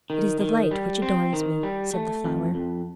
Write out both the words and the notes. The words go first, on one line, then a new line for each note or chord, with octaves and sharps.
"It is the light which adorns me," said the flower.
D#3
D#3
G3
C4
D#3
G3
A3
F2
F2